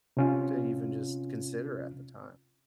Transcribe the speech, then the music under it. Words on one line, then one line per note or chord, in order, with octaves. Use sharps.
to even just consider at the time.
C3 C#4 F4